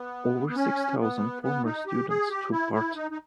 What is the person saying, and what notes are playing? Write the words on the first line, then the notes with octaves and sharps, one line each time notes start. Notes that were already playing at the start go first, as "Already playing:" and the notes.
Over six thousand former students took part.
Already playing: B3
B3
C#4
B3
B3
D#4
G4
G#4
G4
E4
E4
D#4
D#4